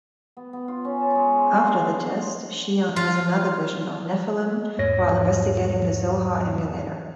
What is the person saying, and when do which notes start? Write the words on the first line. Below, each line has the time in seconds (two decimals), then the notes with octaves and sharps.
After the test, Shion has another vision of Nephilim while investigating the Zohar Emulator.
0.37 B3
0.53 B3
0.68 F4
0.85 C#4
1.00 A5
1.15 G#3
1.35 C5
1.54 C6
1.68 D4
1.84 B3
2.00 C5
2.96 F4
4.78 E2 G#2 C#5 A#6